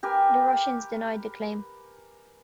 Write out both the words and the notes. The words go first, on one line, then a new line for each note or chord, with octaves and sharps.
The Russians denied the claim.
G4 A#4 B4 G#5